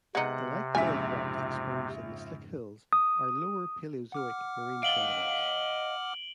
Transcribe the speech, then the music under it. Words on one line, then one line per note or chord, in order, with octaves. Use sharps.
The light-colored rocks exposed in the Slick Hills are lower Paleozoic marine sediments.
C3 G#3 B3 D#4 F#5 C#7
A#1 F2 G#2 C#3 E5 G#5
D#6
F#5 D6 F6
D#5 F5 D7 F#7 G7